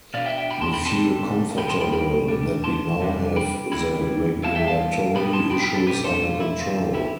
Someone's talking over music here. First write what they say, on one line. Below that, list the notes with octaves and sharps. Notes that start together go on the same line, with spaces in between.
We feel comfortable that we now have the regulatory issues under control.
B2 B3 D4 D5 F5
E5 G5
E5 G5
G5 B5
A5 C6
G5 B5
D3 G3 C4 A5 C6
G2 F3 B3 G5 B5
A5 C6
G5 B5
G5 B5
B2 A3 D4
A5 C6
C3 G3 D4
G5 B5
D3 G3 C4 E4 G5 B5
G2 E3 B3 E4 F5 A5
E5 G5
F5 A5
B2 B3 D4 G5 B5
A5 C6
G5 B5
G5 B5
A4 C5
B2 A3 D4 G4 B4
A4 C5
F4
E4
D3 F3 C4 F4
E4 G4